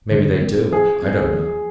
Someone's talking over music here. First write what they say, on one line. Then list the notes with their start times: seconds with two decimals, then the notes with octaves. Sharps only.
Mebby they do; I don't know.
0.11 D3
0.42 G#3 C4
0.72 F3 G#4
1.02 C4
1.33 F3